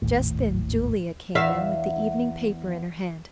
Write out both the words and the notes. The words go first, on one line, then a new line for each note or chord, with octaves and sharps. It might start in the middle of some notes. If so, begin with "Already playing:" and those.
Just then Julia came in with the evening paper in her hand.
G#1 D#2 A2
E2 E5 F5